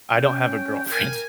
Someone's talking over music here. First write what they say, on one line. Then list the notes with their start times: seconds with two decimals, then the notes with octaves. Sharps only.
I don't have a girlfriend.
0.11 C#4 G5
0.90 A#4 G#5